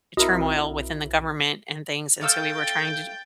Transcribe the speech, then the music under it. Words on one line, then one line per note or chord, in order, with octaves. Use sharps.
turmoil within the government and things, and, so, we were trying to
B1 C4 E4 F#4 A#4 D#5
A3 F5 G5 E6 G6 A6